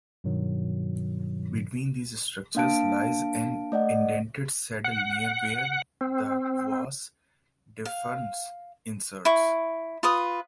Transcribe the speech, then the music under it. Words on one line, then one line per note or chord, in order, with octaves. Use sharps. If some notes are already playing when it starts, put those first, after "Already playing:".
Between these structures lies an indented saddle near where the vas deferens inserts.
G2 B2 D#3 F#3
A#3 D4 F5 A5 D7
A3 D5 D#5 F#5
F#5
C4
F5
E4 C#6
F4 B4 D#6